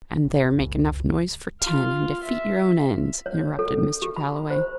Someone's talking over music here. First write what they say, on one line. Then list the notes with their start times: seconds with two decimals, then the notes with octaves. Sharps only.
"And there make enough noise for ten, and defeat your own ends," interrupted Mr. Galloway.
0.25 A1
0.54 F#1 C#2
1.62 F4 F5
2.23 E5
3.26 C#5
3.59 A4
4.02 G4
4.16 B5
4.50 C5